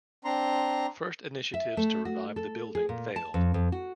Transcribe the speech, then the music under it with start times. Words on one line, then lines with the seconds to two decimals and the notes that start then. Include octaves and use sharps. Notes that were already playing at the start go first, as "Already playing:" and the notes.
First initiatives to revive the building failed.
0.25 C4 D4 A#5 C6
1.54 E5
1.77 A3
2.05 F#4
2.36 A4
2.75 G#4
2.89 A#2
3.16 A5
3.34 F2
3.54 F2
3.72 F#4